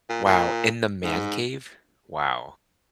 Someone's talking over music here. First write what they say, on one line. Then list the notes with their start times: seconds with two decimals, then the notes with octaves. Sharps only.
Wow! In the man cave? Wow!
0.09 A#2
0.25 A#2
1.03 G#2